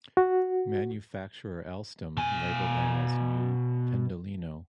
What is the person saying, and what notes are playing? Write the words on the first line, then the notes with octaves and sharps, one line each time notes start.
Manufacturer Alstom labeled them as "New Pendolino".
F#4
B2 G#5